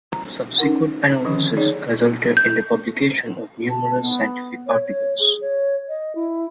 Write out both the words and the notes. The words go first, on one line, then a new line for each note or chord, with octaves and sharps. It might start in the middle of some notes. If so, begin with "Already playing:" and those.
Subsequent analysis resulted in the publication of numerous scientific articles.
A#5
C#4 D#4 A#4 F#5
D3 D#3 F3 C4 C#4
D#4 G#4 C#5 D5
G6
A5
B3
C#5
C#5
G#4
C#5
D#5
E4